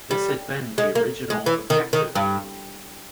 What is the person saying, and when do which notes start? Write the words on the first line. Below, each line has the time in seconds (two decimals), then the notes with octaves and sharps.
This had been the original objective.
0.11 G3
0.78 G#3
0.95 A#3
1.30 G#3
1.46 E3
1.70 D#3
1.93 D#3
2.15 G2